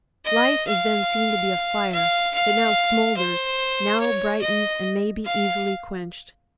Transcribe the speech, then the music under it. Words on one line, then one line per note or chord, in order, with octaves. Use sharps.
Life is then seen to be a fire, that now smoulders, now brightens, and may be easily quenched.
D#5
F5
F5
F5
C5
C#5
D#5
F5